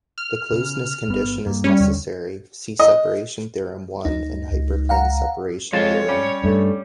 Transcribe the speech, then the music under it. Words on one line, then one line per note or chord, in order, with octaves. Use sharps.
The closedness condition is necessary, see Separation theorem I in Hyperplane separation theorem.
F6
C#3
G1 B3
G2 A#3
G3 C#4
D#2 D3
D#5
D2 D#4
C#2
F5 F#5 A#5
F2 G#3 F4 C#5 A5
G3 C#4
G2 A3